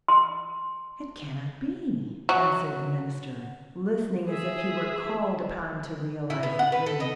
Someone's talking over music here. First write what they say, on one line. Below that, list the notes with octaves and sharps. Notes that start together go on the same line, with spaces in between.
"It cannot be!" answered the minister, listening as if he were called upon to realise a dream.
C6
F#3
G#4 E5
E4
B3
F#5
B4
A4
D#5